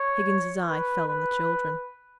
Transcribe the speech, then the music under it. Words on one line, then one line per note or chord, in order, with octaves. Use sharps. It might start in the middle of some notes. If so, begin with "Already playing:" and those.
Higgins's eye fell on the children.
Already playing: C#5
B4
B4